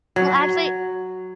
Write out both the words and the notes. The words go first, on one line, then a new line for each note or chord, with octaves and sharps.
Well, actually
F#3